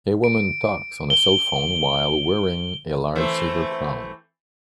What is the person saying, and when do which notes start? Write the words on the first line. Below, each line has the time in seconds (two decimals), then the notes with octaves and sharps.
A woman talks on a cellphone while wearing a large silver crown.
0.24 D7
1.10 G7
3.15 E3 A3 C4